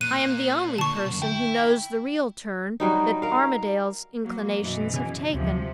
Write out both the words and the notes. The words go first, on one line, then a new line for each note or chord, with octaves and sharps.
I am the only person who knows the real turn that Armadale's inclinations have taken.
A#2 F#6 D#7
D3 A5 C#6
C2 F#2
E4 G5
F#3 G3 D#4
A#4 F5
F#3 A#3
F#2 B2 E3
C#3 G#5
D2 C3 F3 F#3